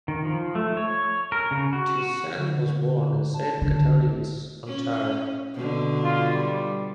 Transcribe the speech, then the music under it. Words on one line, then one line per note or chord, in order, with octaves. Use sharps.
Thiessen was born in Saint Catharines, Ontario.
D#3
F3
A3
C#5
A#4
C#3
F#4
D3
A5
D3
C#4
B2 D3
F4
G3